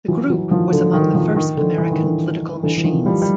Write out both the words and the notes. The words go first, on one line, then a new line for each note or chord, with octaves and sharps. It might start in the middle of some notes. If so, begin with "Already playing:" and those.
The group was among the first American political machines.
E3 F#3
E3 F#3
D#3 F3
D3
D#3
D#3 F3
D#3
D3
E3
D#3
D3 E3
D3 E3
E3
D#3 F3
F3 G3
G3